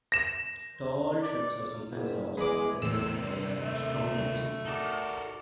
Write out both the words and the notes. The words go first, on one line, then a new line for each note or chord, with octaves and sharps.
Tall ships are sometimes lost, such as by a storm at sea.
A#6 E7
D5
F#1
E2 G#3 B5 D6
E2 A2 C3 D#3 E6
A3
D#4 F#4 A4 A#4 D5